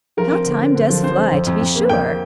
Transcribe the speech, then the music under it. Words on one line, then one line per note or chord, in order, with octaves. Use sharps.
How time does fly, to be sure!
F3 A#4
C4
D3
C4
D3
F3
C4 C5
C4
F2
F2
F2
A#3
F2 G5